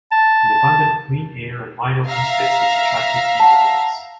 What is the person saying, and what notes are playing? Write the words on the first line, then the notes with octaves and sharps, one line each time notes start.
The abundant clean air and wide-open spaces attracted new residents.
A5
E5 F5 A#5
F#5 A5